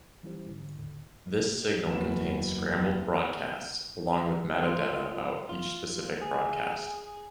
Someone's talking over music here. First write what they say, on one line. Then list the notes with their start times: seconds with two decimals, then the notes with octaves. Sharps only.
This signal contains scrambled broadcasts, along with meta data about each specific broadcast.
0.23 E3 G3 C#4 E4 G4 C5
0.46 G#2 D3
0.75 G#1 D#2 A2 D3
1.90 F#1 E2 F#3 B4 E7
3.43 G6
4.63 F4
5.49 F4
6.22 G#4